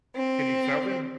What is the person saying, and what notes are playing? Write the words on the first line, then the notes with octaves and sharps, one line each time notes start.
Can you sell them?
C4